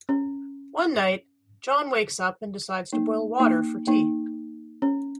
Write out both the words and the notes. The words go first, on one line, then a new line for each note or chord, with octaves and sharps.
One night, John wakes up and decides to boil water for tea.
C#4
A#3 D#4
A#3 D#4
A#3 D#4
C#4